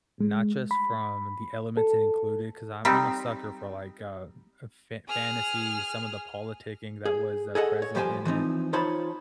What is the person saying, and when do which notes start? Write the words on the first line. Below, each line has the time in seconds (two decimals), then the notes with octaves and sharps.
not just from the elements in included, 'cause I'm I'm a sucker for, like, uh, a fa fantasy, some of the politicking that was, uh, present in it,
0.21 G#3
0.71 B5
1.77 A4
2.85 G3 C4 D#4
5.08 G#4 F6
7.05 G#4
7.55 G#4 A4 D#5 F#5
7.82 C#5
7.95 G2 F3 G4 C5 G5 G#5
8.25 E3 F3 C4 D#4
8.73 D#4 F4 C5 C#5 A5 B5